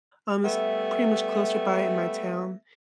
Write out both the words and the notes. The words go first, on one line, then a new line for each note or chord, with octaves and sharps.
Um, it's pretty much closer by in my town.
G3 A3 B3 E5